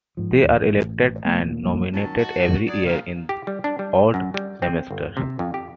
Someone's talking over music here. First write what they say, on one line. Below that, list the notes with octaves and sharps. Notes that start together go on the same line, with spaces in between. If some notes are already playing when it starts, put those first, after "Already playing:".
They are elected and nominated every year in odd semesters.
G#2 F3
A1 D#2
A1
F1 A3 B3
D#2 A#2
A#1 F2 G3 A#3
D#3 F#3 C#4 A5
D#4 F#4
F#3 G#4 D5
A#2 C#3 C#4 A#4 F5
G4
G3
D4
G3
F#2
G3
C4
G1
C3
F2
G4